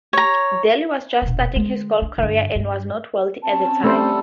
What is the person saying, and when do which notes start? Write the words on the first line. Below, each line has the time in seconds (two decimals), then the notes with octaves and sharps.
Daly was just starting his golf career and was not wealthy at the time.
0.13 C#5 A#5
1.22 E1 A#1
1.53 D3 G#3
2.02 D4
2.18 G2 D3
2.55 G2
3.42 C4 C#4 A5
3.84 G3 A3 A4 C5